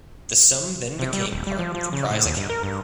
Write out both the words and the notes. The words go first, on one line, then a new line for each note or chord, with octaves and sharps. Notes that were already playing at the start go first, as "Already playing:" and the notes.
The sum then became part of the prize account.
C3
G3
D#1
G3
F3
F3
C#3
A2
D#2
G2
A#4
G2